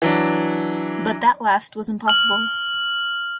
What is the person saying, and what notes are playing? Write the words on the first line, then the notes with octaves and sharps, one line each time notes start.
But that last was impossible.
E3 F#3 D4
F6 F#7